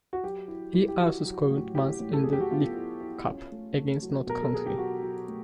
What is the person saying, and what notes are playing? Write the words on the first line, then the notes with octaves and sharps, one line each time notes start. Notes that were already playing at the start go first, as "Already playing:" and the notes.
He also scored once in the League Cup against Notts County.
F#4
F#3 G4
E4
E4
G4
E4 F#4
F#3
A2
E4 G4
A2
A4
F#3 G#4
G4
F#4
B3 F4
E4
E4
C#4
A3
A3
F#3
B2 A#4
A4
F#3 G#4
G4
F#3 F#4
F#3
A3